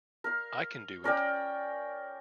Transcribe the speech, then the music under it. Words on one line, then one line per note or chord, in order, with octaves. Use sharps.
I Can Do It!
A#4 F5
C#4 A#4 D5 G5